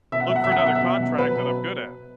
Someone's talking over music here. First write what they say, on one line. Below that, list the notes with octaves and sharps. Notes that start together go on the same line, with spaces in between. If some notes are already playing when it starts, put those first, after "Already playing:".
look for another contract that I'm good at.
B2 E5
F#5
F#3 E5
F#5
E5
F#3 F#5
E5
B2 F#5
E5
B2
F#3
F#3 B4
B2